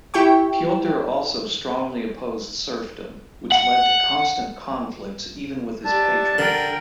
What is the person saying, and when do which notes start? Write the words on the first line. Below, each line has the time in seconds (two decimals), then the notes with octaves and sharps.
Piotr also strongly opposed serfdom, which led to constant conflicts even with his patron.
0.14 E4 G4 G5 C#6
3.52 F#5
5.85 D4 G4 E5 A5 A6
6.38 D3 A#4 G5